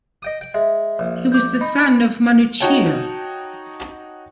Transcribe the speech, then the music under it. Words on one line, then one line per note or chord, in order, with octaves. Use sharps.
He was the son of Manuchihr.
D#5 G5 D#6
G5
G#3 E5
A#1
D6 G6
D#4 B5
D#4 F#4 C#5 G5 A5